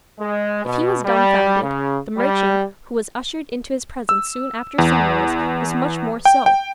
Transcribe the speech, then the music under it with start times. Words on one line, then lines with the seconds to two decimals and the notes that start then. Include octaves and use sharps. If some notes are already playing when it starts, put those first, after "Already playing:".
If he was dumbfounded, the merchant, who was ushered into his presence soon after sunrise, was much more so.
0.20 G#3
0.65 B2
1.04 G3
1.62 C#3
2.17 G3
4.09 E6
4.78 E2
6.25 G5
6.46 G5